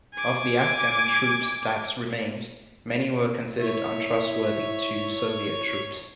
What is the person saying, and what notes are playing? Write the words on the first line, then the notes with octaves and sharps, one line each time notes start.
Of the Afghan troops that remained, many were considered untrustworthy to Soviet troops.
G#5 D6
E4 C#5 E5